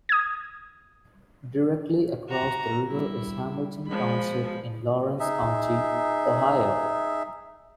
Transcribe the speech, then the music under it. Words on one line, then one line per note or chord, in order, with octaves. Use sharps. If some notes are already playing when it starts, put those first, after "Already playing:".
Directly across the river is Hamilton Township in Lawrence County, Ohio.
D#6 G#6
F#4 A#5
G3 E4
F3 G#3 B5
D#4 G#4 E5